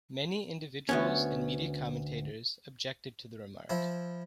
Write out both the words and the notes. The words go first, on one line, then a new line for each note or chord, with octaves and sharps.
Many individuals and media commentators objected to the remark.
D2 B3 C#4
F3 E4